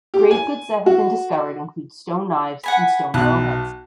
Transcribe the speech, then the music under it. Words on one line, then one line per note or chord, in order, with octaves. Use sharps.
Grave goods that have been discovered include stone knives and stone arrowheads.
G4
G#5
F#4
F#5 G#5 B5
B1 F#6